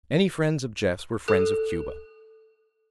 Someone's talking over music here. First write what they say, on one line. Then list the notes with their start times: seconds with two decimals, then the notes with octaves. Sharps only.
Any friends of Jeff's were friends of Cuba.
1.28 A4 F#6